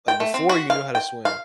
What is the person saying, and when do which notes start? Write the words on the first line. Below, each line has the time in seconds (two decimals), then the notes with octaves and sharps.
like, before you knew how to swim,
0.08 G5
0.20 A3
0.34 C4
0.49 F#4
0.70 F5
0.95 G5
1.25 F5